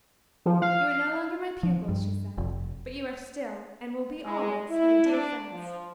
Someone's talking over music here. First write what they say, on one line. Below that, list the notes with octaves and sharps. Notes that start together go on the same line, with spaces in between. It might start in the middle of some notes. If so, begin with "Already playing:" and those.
"You are no longer my pupils," she said, "but you are still, and will be always, my dear friends."
F3
F5
F3
G2
F1
G#3
E4
D4
F3